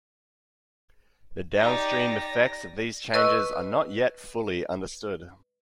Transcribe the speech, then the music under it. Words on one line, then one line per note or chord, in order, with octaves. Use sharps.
The downstream effects of these changes are not yet fully understood.
D#4 G4 D5 A#6
B4 D#5 C#6 E6 F#6